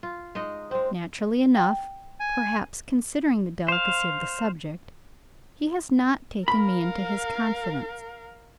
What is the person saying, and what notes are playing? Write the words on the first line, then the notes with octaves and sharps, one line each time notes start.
Naturally enough, perhaps, considering the delicacy of the subject, he has not taken me into his confidence.
F4
G#3 D#4 D#5
G#3 C4 C5
G5
G#5
C5 F5
A#4 F5 B5